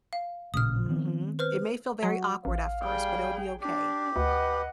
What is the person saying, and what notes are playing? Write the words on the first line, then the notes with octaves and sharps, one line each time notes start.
Mhm. It may feel very awkward at first, but it'll be okay.
F5
A1 A#2 C#3 D#6 F6
D#3 B3 C4
B4 C5 F6
F#3 F#4
A1 F5
G3 G#4 G5
D4 G4
D2 B4 D#5 F#5